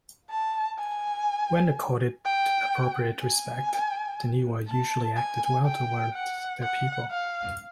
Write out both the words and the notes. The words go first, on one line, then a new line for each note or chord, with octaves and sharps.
When accorded appropriate respect, taniwha usually acted well towards their people.
A5
G#5
G5
G#5
A5
G#5
G5
F#5
F#5
F5